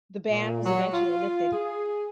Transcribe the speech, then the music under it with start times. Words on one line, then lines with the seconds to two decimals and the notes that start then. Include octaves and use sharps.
The ban was eventually lifted.
0.31 A#2
0.65 F#3
0.94 F4
1.53 G#4